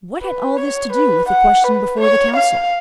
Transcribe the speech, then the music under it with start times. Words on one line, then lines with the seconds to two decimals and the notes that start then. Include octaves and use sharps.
What had all this to do with the question before the council?
0.21 B4
0.57 C#5
0.93 B4
1.29 F#5
1.64 B4
2.00 C#5
2.36 F5